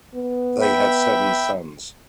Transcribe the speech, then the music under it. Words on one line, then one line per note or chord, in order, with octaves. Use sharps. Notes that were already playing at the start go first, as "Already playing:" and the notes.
They had seven sons.
B3
E5 G5 B5